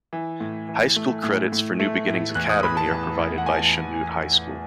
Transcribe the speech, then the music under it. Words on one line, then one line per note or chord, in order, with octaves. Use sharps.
High school credits for New Beginnings Academy are provided by Chanute High School.
E3
A2
E3
A3
A2
A2
A3
A2
E2 F#6
D#6
E2 B5
A5
E2
E2
F#5
E2 G#5